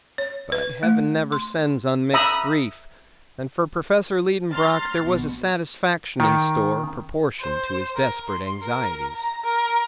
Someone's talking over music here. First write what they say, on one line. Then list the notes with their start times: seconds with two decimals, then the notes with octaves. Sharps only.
But Heaven never sends unmixed grief, and for Professor Liedenbrock there was a satisfaction in store proportioned to his desperate anxieties.
0.18 C#5
0.52 B4
0.83 A3
1.32 C6
2.14 E5 A#5 B5 D#6
4.52 A#5 C6 F6 A6
5.00 A#1 B2
6.20 D#3
7.41 C5
7.96 A#4
8.29 C6
8.62 A#4
9.15 A#5
9.44 A#4